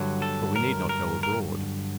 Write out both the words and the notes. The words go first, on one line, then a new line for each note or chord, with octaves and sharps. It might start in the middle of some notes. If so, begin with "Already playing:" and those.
But we need not go abroad.
Already playing: G2 D3 F#3
A4
A#4
A#4
A#4